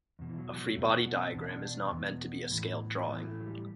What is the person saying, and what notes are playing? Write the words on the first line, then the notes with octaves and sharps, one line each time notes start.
A free body diagram is not meant to be a scaled drawing.
E2 B2
E3
F#3
G3
F#3
E2 B2 A3
B3
B3
C4
E2 B2 D4
C4
D4
D4
B3
E2 B2
A2 E3
A2 E3 B3
A3
F#3
G3